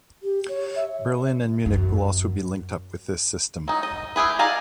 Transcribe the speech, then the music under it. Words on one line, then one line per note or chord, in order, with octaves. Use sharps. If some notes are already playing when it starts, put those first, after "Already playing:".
Berlin and Munich will also be linked up with this system.
G4
C#5
E5
F#2
F#3 D#4
D#5
E4 G4 G#4 B4
D#4 D5 F5 G#5 A#5